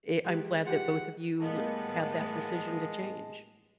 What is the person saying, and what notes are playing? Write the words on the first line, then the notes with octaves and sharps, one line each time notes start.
eh, I'm glad that both of you had that decision to change,
G#3 F4 G4 B4
F4 G4 B4 F#5
A2 G3 G#3 B3 A#4 D#5 F5 A5